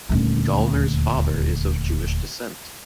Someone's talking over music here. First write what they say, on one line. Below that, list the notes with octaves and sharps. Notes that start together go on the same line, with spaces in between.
Gallner's father is of Jewish descent.
D#1 D2